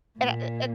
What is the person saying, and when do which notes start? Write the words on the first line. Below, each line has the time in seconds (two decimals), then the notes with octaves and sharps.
And eh eh
0.18 A#2